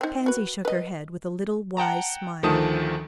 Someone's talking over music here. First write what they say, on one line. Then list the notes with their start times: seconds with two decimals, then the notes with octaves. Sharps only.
Pansy shook her head with a little wise smile.
0.01 C4 D#4
0.26 F#4 B4
0.65 B4 D#5
1.77 F#5 G5 A5 A#5
2.43 D2 D#3 F3 A3 A5 D#6